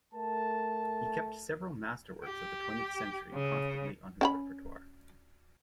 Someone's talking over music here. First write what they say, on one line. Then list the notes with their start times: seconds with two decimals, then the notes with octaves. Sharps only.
He kept several masterworks of the twentieth century constantly on his repertoire.
0.14 A3 A#4 A5
2.24 G4
3.33 C#3
4.21 C#4 G5 B5